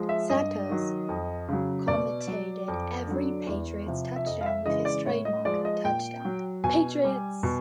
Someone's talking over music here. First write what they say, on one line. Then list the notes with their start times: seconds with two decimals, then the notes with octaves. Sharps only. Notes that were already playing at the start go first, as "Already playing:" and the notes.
Santos commentated every Patriots touchdown with his trademark Touchdown, Patriots!
Already playing: F3 G#3
0.09 E5
0.29 G2 D#5
0.69 D#3 F#3
1.09 F2
1.49 C#3 F#3
1.88 B2 D5
2.27 F#3
2.68 F2
3.07 D3 F#3
3.46 E2
3.86 C3 F3
4.16 E5
4.26 F2 D#5
4.41 F5
4.46 E5
4.66 C#3 E3 G#3 D#5
4.85 D5
5.05 A2 C#5
5.25 D#5
5.45 F3 G#3 D5
5.65 D#5
5.84 A#2 G5
6.25 F#3
6.64 B2 G#5
7.04 G3
7.43 B2